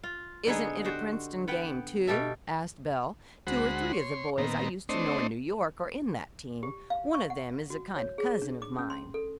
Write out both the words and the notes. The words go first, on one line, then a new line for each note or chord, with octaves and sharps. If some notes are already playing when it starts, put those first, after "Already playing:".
"Isn't it a Princeton game, too," asked Belle, "two or three of the boys I used to know in New York are in that team, one of them is a kind of cousin of mine."
F4
D3 B3 D#4 G#4
F#4 G4 C5
B3 F#5 G5
B2 G4 A4 E5
D2 G#3 F#4 C5 F#5 B5
C#5 C6
A#2 D#3 B3 C4 A#5
A3 C4 D4 C5 C#5 D#5
G4
F5
C#6
F#5
F#4
C#5
G#4
D4
D6
C#4
C6
A4